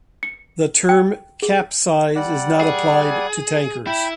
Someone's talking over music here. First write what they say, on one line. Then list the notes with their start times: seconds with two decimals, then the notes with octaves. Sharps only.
The term "capesize" is not applied to tankers.
0.23 C#7
0.89 G5
1.42 G#4
2.15 G3 D5 F#5
2.61 G#4
3.87 E4 G5 B5